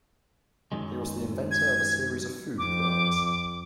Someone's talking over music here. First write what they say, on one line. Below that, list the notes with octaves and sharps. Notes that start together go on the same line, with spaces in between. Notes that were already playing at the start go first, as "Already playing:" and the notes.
He was the inventor of a series of food products.
F#2 D#3 G#3
G#6
F2 D6